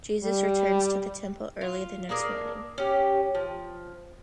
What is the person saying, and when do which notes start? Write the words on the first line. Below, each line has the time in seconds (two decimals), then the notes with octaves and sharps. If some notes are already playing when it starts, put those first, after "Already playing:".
Jesus returns to the Temple early the next morning.
0.24 G3
1.61 F4
2.09 A#3 D4 G#4 A#4
2.78 C#4 G4
3.35 F3